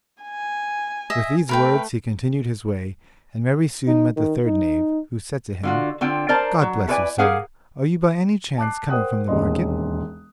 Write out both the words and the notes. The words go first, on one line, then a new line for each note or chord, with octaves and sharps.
With these words he continued his way, and very soon met the third knave, who said to him, 'God bless you, sir; are you by any chance coming from the market?'
G#5
D#5 E5
A3 A#4 B4 G5
D#4
D#3
D#4
D3 F4 F#4
D3 C4 F4 G5
A#4 C5 D5 A5 A#5
F#3
E4 A4 B4 C5 D5 G#5
G4 G#4 A#4 F5 F#5 G#5
A5 D6 F#6 C7
A#4 C5 F#5 G5 D#6 F#6
E1 A1 D#2 C#4 D#5 C6